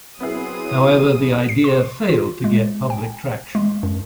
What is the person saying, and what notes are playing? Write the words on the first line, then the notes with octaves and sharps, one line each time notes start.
However, the idea failed to get public traction.
F#3 B3 C4 E4 G#4 D#6
C7
C6
F4
G#3
G5
G#3
F#2